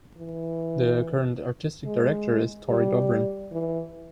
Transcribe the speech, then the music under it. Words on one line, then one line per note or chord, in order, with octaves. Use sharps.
The current artistic director is Tory Dobrin.
E3
G#3
G3
E3